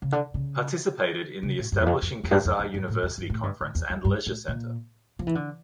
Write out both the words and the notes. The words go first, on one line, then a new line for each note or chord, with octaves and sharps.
Participated in the establishing Khazar University Conference and Leisure Centre.
C#3
D3
C#3
C#3
A2
G2
E2
F2
F2
F2
G2
F2
F2
G2
A2
F2
G2
A2
G2
A2
E2
F2
G2
A2
A#2
F3
E3
D3